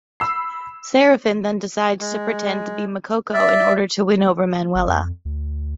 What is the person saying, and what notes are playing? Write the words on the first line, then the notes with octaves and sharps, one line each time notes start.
Serafin then decides to pretend to be Macoco in order to win over Manuela.
B5 E6 C7
G#3
D5 E5
G1
F2
D2